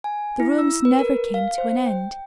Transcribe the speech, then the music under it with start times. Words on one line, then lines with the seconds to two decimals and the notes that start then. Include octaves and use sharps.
The rooms never came to an end.
0.04 G#5
0.40 E4
0.58 E6
0.85 B4
0.99 A#4
1.34 F5
1.58 C5
1.86 G5